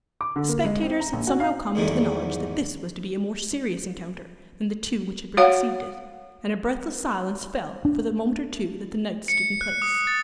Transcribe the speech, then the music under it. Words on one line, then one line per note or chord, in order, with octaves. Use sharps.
The spectators had somehow come to the knowledge that this was to be a more serious encounter than the two which had preceded it, and a breathless silence fell for the moment or two that the knights stood in place.
D6
D3
A#3
G#3
C4
A#5
A#1
F#4
F5
B1 E2 G#2 D#3 E3 G3
F#4 C#5 F5 F#5
D4
C#7
F#6
D#6
A6